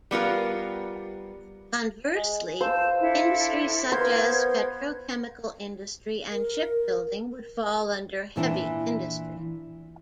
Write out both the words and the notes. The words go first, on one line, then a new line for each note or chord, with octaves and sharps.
Conversely, industries such as petrochemical industry and shipbuilding would fall under heavy industry.
G3 B3 F4 A#4
G#3
F4 C5 A5 E6 G6
D4 E4 A4
B3 A#4 C5 F5 G#6
A#4
A#2 E3 D4 E4